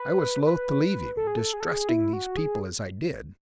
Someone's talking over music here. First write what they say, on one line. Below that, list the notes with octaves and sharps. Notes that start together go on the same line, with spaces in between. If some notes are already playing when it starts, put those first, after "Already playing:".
I was loath to leave him, distrusting these people as I did.
Already playing: B4
B4
A4
G#4
A4
G#4
A4
G#4
E4
F#4
G#4